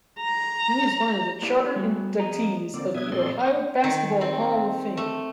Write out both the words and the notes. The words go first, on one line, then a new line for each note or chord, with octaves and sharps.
He is one of the charter inductees of the Ohio Basketball Hall of Fame.
A#5
A#3 D4 E4 G4 B4 D5
G3 B3 F#4
F2 D#5 A#5
D3 A#3 C4 D5
B2 B3 D4 E5 D#6 G#6
A#2 C4 A4 D5 D#5 C6
C#6 D#6 F6
D#3
C4
A3